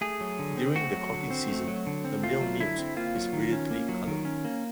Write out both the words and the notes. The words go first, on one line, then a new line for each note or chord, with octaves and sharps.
During the courting season the male newt is brilliantly coloured.
A3 G#4
F#3
D3
C4
A3 F#4
F#3
D3
C4
A3
F#3
D3
C4
A3 F4
F#3
D3 E4
C4
A#3 F4
F#3
D#3
C#4
A#3
F#3
D#3
C#4
A#3